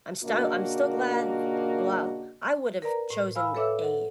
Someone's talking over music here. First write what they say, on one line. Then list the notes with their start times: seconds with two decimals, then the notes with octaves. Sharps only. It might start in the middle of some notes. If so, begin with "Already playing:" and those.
I'm star I'm still glad, well, I would've chosen a,
0.24 A#2 C#3 A#3 D4 F#4 D#5
2.82 A#4 B4 D5 A#5
3.10 A2
3.35 F5 G#5 B5 E6 F6
3.55 A4 B4 C#5 E5 D6 E6
3.82 A4 F#5